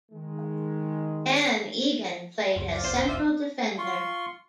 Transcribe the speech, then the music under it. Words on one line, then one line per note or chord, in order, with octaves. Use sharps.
Dan Eggen played as central defender.
D#3 G#3
C#2 F#2
F4 D5
F#1 C2 F2 C5
F4 D5 E5
F4 C6 C#6